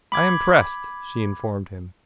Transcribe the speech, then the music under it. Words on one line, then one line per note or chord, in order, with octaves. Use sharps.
"I am pressed," she informed him.
B5 D6 G#6